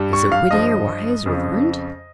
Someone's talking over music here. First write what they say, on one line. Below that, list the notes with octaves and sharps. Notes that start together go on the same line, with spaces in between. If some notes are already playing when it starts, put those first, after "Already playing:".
Is it witty, or wise, or learned?
Already playing: G2 G3
C#6
F5
G2 F3 D#5
F2 C#3 F3